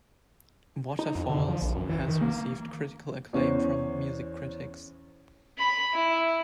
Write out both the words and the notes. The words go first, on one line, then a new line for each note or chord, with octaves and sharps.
"Waterfalls" has received critical acclaim from music critics.
D#4
F2
D3
F3
A#1
F#2
E3
D#3
A#3
E2 C#4 C5
B5
E4